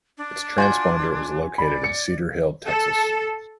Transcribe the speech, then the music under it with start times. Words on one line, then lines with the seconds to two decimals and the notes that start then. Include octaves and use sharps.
Its transponder is located in Cedar Hill, Texas.
0.18 D4
0.58 F4 F#4 G#5 G6
1.58 D5 B5
1.84 C#7
2.67 A4